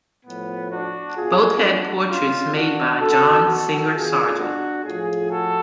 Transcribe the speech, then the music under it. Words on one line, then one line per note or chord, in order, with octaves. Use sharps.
Both had portraits made by John Singer Sargent.
A2 F3 B3
D4 F#4
B2 F4 G#4
D4 F#4
B2 C#4 F4
D4 F#4
B2 F#4 A4
F#4 A4
B2 F4 G#4
D4 F#4
A2 F3 F4 G#4
F#4 A4